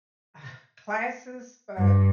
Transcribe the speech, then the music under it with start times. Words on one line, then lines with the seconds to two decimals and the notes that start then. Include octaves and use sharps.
ugh, classes, but
1.78 G2